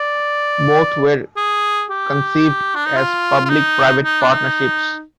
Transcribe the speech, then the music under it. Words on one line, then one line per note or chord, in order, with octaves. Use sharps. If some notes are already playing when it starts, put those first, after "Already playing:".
Both were conceived as public-private partnerships.
Already playing: D5
G#4
G4
D4
D#4
F4
F4
D#4
D#4
D4
D#4